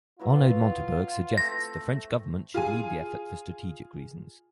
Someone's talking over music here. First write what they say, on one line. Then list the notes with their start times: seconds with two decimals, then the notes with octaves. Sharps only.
Arnaud Montebourg suggests the French government should lead the effort for strategic reasons.
0.19 F#3 B3 E4 F4
1.38 A3 C4 C5 A#6
2.54 F4 G#4 G#5